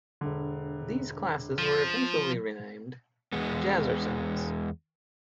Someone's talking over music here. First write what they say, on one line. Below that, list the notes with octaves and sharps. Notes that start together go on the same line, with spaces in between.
These classes were eventually renamed Jazzercise.
E1 D3
F3
E2 G#3 B3